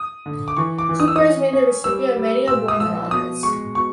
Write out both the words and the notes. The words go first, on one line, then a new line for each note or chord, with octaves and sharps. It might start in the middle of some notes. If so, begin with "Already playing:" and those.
Kupper has been the recipient of the many awards and honors.
Already playing: D#6
D3
D6
E3 C#6
D6
E3
D#6
E6
C#4 D#6
C#4
G3 E6
G3
A#2 E6
D#6
F3 E6
B2 D#6
G#3 C#6
B2 C#6